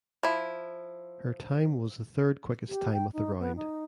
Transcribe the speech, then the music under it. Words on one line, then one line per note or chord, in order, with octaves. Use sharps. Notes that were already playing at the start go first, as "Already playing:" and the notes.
Her time was the third quickest time of the round.
F3 E4
G4
G5
D#4
B3
D#4